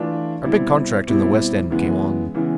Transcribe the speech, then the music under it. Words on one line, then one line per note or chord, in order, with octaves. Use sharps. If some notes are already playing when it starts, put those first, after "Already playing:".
Our big contract in the West End came on.
Already playing: E3 A3 D4 F4
B2 G3 C4 E4
B2 G3 C4 E4
C#3 E3 G#3 B3
C#3 E3 G#3 B3